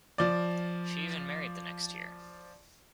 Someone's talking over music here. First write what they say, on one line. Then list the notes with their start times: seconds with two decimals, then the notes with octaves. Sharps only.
She even married the next year.
0.18 F3 D5